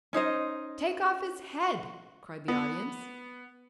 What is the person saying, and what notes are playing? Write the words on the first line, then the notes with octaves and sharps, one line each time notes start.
"Take off his head!" cried the audience.
C#4 D#4 C5 D#5
B3